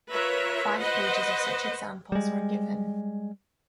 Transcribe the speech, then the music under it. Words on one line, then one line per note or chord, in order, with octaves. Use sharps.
Five pages of such examples were given.
F4 A#4 B4 C#5 E5
B4 C5 D#5 F#5
G3 G#3